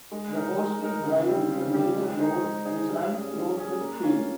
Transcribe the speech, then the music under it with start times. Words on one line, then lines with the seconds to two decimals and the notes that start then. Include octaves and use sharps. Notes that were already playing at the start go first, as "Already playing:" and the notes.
The Horsley Drive is the major road which runs through Smithfield.
0.12 G#3
0.35 D#4 A#4
0.58 G#3
0.81 D#4 A#4
1.03 C#3
1.27 G3 C4 G4
1.50 C#3
1.73 G3 C4 G4
1.96 G#3
2.19 D#4 G#4 C5
2.42 G#3
2.65 D#4 G#4 C5
2.88 G3
3.11 C#4 G#4
3.34 G3
3.57 C#4 G#4
3.79 A#3
4.03 C#4 F4